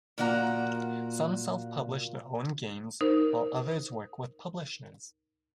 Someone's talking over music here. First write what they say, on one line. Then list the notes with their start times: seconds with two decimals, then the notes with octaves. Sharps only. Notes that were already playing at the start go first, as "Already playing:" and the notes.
Some self-publish their own games while others work with publishers.
0.18 A#2 F3 A#3 F#4 F#5 A#5
3.01 D#4 A#4 C5